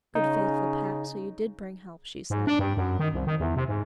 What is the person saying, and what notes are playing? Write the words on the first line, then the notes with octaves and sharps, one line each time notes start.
"Good faithful Pat, so you did bring help," she said.
C#3 D#4
G#2
D4
G2
F#2
D#3
C2
D#3
E2
C3
G#2